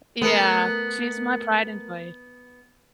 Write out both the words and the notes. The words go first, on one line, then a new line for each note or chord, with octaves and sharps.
Yeah. She's my pride and joy.
A3 B3 A#4